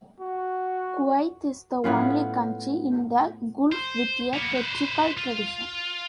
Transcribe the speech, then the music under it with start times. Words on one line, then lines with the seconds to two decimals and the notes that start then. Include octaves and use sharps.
Kuwait is the only country in the Gulf with a theatrical tradition.
0.20 F#4
1.84 A2 B3 C#4 F4
3.72 C5
4.34 A#3 B3
4.55 B4 C5
5.17 F4